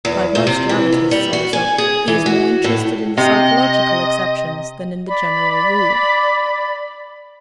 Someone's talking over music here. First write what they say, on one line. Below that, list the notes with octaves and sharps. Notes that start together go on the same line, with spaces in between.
Like most dramatists, also, he is more interested in the psychological exceptions than in the general rule.
E2
A#2
C3
E3
F2
G3
F#4
G#5
G#4
E3
F#4
A2
C3 D#5
D5 B5